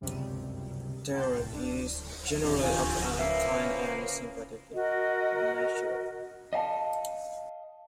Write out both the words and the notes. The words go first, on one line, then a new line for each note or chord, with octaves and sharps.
Tarot is generally of a kind and sympathetic nature.
G1 C#2 F#2 C3 G3
F#5 G5 A5 C6 G6
C2 A2
D4
D#1 D4
D#2 F4 F5 G#5 G6 D7
C#6 D7
F3 A#3 C#4 B4 E5 F#5
F#4 A#4 D#5
D#5 F5 G#5 A5